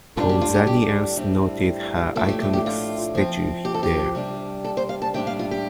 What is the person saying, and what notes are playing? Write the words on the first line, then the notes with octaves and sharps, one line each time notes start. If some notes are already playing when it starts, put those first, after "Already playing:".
Pausanias noted her iconic statue there.
A2 G3 D4 F4
G4
F4
G4
G4
A2 G3 C4
A2 F3 A3 D4 A4
G4
G4
G4
F4
F3 C4
G4
A4
G4
C3 G3 D4
A4
C5
F5
A5
A2 G3 D4 G5
F5
F4
G4